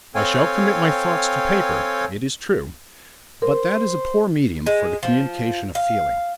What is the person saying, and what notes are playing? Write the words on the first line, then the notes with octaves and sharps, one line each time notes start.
I shall commit my thoughts to paper, it is true; but that is a poor medium for the communication of feeling.
C4 A4 C#5 F5 G5 G#5
A#4 C5
G#3
F3
F5